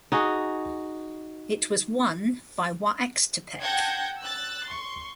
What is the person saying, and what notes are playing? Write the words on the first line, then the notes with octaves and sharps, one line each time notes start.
It was won by Oaxtepec.
D#4 F#4 G#4
F#5 G5 A5 G6 G#6 A#6
E6 F#6 A6
C6 C#6